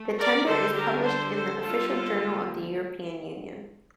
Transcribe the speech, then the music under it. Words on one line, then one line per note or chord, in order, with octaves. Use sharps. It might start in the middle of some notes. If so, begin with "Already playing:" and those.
The tender is published in the "Official Journal of the European Union".
Already playing: A3
A#4 D5
D3 G3 D4 A4 C5
G4 A#4
A4 C5
A4 C5
D3 G3 A#3 F4 A4